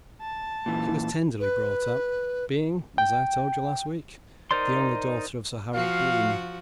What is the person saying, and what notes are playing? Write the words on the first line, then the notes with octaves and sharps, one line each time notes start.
She was tenderly brought up, being, as I told you last week, the only daughter of Sir Harold Broome.
A5
A#2 E3
B4
G5
D#4 A#4 C5 D5 C6
F3 F#4 F5